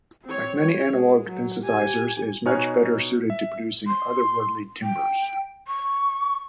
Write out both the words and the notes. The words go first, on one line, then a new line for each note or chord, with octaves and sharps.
Like many analog synthesizers, it was much better-suited to producing "otherworldly" timbres.
C4 C#5
C#5
G#3
F#3
G4 G#5
B2 D#4 C#5 G#5 F6 F#6
E5
C6
G5
C#6